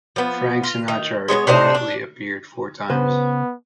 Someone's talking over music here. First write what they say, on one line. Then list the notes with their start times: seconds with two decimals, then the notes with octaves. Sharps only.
Frank Sinatra reportedly appeared four times.
0.16 F3 B3
0.63 F4
0.88 D#3
1.28 G#3 B3 C5 C#5
1.47 C3 D4 D#4 C5
1.75 D4
2.90 C#3 B3 B4 C5